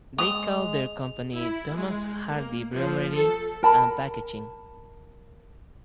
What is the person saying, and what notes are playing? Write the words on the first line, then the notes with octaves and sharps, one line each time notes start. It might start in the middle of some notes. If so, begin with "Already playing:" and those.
They called their company Thomas Hardy Brewery and Packaging.
G#3 D#6 F7
E4
G#3
A#3
F3
A4
A#4 A5 B5